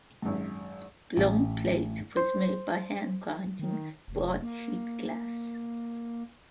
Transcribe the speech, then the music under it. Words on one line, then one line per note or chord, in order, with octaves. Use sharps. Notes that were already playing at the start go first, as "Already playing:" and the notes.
Blown plate was made by hand-grinding broad sheet glass.
G#1 F#2
A1
C5
D#3
F1
A#3